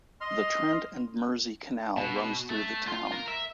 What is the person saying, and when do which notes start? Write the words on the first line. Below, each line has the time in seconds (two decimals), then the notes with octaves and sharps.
The Trent and Mersey Canal runs through the town.
0.21 D#5 C6 F6
1.97 B2
2.50 A3
2.88 F4
3.12 A#4
3.28 E5